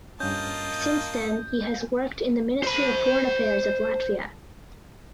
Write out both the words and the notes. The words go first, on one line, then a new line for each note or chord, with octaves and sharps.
Since then he has worked in the Ministry of Foreign Affairs of Latvia.
G2 A#3 C#4 F4 D#5 A5 G6
C5 B5